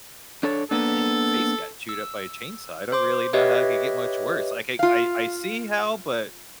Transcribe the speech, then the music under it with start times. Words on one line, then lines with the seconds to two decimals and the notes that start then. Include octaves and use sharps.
"Man, your face got chewed up by a chainsaw. I don't really know how it could get much worse." Like, I I I see how, but,
0.43 D4 A4 C#5
0.71 A#3 B3 D4 A4
1.89 E6
2.92 C5 C6 D6
3.33 G4 B4 C#5 D#5 E5
4.79 F4 F5